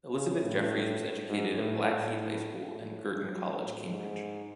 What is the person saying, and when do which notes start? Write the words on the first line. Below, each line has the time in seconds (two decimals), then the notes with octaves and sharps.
Elizabeth Jeffreys was educated at Blackheath High School and Girton College, Cambridge.
0.13 C#3
0.42 A2
1.28 G#2
1.57 A2
1.86 A2
2.73 A2
3.31 F#3
3.60 A2
3.89 G#2